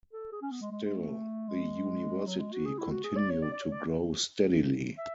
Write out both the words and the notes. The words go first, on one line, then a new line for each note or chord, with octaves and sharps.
Still, the University continued to grow steadily.
A4
G#4
C#4
B3
G#3
G#3
G#3
A3
G#3
F#3
G#3
F#4
G#4
E4
F#4
G#4
D5
C#5
D5
D5
C#5
D5
E5